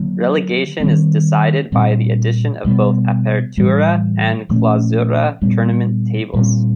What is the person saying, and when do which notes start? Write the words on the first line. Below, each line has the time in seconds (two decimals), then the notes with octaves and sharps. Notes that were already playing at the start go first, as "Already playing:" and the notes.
Relegation is decided by the addition of both "apertura" and "clausura" tournament tables.
Already playing: D3 F#3 A#3
0.80 D#3 G3 C4
1.72 A#2 G3 C4
2.65 B2 G3 B3
3.57 A2 E3 G3
4.49 A#2 F3 A3 C#4
5.42 A#2 G3 B3
6.34 A#2 G3 C4